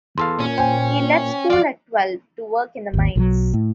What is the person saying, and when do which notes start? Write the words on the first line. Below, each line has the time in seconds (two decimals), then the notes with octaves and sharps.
He left school at twelve to work in the mines.
0.18 E2 A4 F5 C6
0.40 A#2 C#4
0.58 C5 G5 G#5
1.50 F3 F4 D5 F5
2.94 G#1 D#2
3.16 B1 F3 F#3
3.54 A2